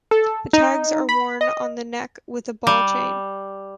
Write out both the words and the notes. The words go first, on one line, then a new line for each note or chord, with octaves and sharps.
The tags are worn on the neck with a ball chain.
A4
D#4
B5
D#5
G3